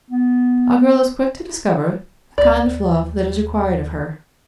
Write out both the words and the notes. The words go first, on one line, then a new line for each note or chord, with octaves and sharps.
A girl is quick to discover the kind of love that is required of her.
B3
C#2 D5
D#2